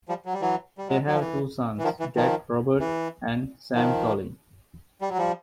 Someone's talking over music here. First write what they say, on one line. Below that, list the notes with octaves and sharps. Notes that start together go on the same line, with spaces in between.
They have two sons, Jack Robert and Sam Colin.
F3 G3
F#3
G3
E3 F#3
G3
F#3 G#3
F#3
F3
E3
E3
D#3 F3
E3
D#3 F3
E3
D#3 F3
G3
F#3
F3 G3